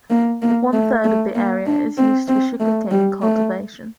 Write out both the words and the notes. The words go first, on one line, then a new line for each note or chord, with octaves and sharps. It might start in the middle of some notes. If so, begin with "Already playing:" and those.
One third of the area is used for sugar cane cultivation.
A#3
A#3
A3
A3
A#3
D4
C4
C4
A3
G3
A3